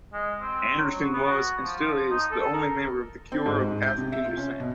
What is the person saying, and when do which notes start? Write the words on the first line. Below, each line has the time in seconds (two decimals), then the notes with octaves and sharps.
Anderson was, and still is, the only member of The Cure of African descent.
0.13 G#3
0.41 C4
0.77 F#3
1.13 B3
1.27 F#4
1.63 F3
1.79 F3
2.10 D#4
2.31 A4
2.53 A#4
3.32 C4
3.46 G#2
3.61 G#2
3.82 G6
3.98 C3
4.12 E5
4.25 F4
4.37 C#4
4.60 B2